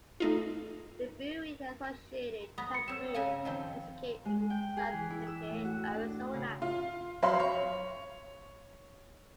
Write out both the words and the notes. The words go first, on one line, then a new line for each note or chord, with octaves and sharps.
The brewery and associated tap room was located in South Tempe, Arizona.
A3 D#4 F4
B3 A#5 D#6
C#7
C4 C#5 E6 E7
C#3 F5 G#5 A#5
D#3 F3 C4
G#3
G5
G#4
E3
E4
E6
A2
F#4
D4
C#3
F4
F#3 C5 F5 B5 C6
C#5